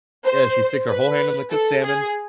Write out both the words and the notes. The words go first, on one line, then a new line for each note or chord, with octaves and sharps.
yeah, she sticks her whole hand in the cooked salmon,
C5
B4
A4
G#4